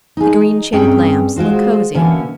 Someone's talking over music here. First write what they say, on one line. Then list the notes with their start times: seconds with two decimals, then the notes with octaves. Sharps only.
The green shaded lamps look cosy.
0.17 D#4 G#4
0.72 G2 C4 C#4 G#4 G5
1.36 G#3 F4 F#4 C5
1.94 B2 D3 E3 A#3 C#4